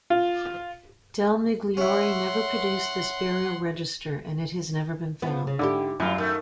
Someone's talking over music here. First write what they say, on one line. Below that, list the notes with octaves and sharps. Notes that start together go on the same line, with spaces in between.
Del Migliore never produced this burial register, and it has never been found.
F4
C#4 E4 F#5 C6
F3 B3
C#3
G#2 D3 E4 G4
F#2 G3 E4 F4
D#3 A3